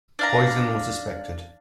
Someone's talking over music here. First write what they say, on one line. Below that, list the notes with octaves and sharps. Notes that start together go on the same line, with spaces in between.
Poisoning was suspected.
D4 F5 A#5